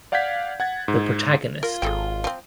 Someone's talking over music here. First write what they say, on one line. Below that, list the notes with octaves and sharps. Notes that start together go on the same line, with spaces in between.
The protagonist.
D5 F5 F#5 G6 G#6 B6
F#5 G#6 A6
G#2
F4 A#4
G#1 G#4 A4 G5
F3 C4